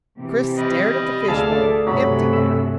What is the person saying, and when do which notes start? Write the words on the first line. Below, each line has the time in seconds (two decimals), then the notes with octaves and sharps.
Chris stared at the fishbowl, empty now.
0.18 C3 E3 G4
0.58 G3 B4 D#5
1.28 D2 G#4 A4 D5 E5 F5 A5
1.87 G2 C3 F#3 A3 B5
2.33 E6